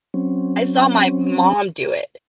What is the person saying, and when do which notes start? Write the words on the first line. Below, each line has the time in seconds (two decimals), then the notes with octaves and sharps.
I saw my mom do it.
0.14 F#3 C4 C#4